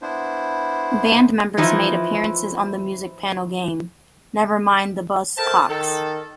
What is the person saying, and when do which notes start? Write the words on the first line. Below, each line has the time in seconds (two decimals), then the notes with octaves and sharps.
Band members made appearances on the music panel game, "Never Mind the Buzzcocks".
0.02 B3 D4 E4 C5
1.57 E3 F3 D#4 E4
5.38 A4 A#4 C5 E5 G5 A5
5.69 D#3 A4